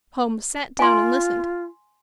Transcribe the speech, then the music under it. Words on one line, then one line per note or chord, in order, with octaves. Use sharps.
Holmes sat down and listened.
F4 G#5 C6